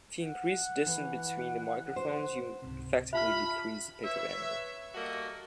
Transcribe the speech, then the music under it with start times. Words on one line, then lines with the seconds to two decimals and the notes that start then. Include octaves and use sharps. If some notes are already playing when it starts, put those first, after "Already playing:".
If you increase the distance between the microphones, you effectively decrease the pickup angle.
0.21 F#5
0.86 E3
1.96 C5
2.62 C#2 G#2 C3
3.13 F4 G4 E5 A5 B5 F6
4.04 B4 C#5 E5
4.94 G3 A#3 F#4 A4 D#5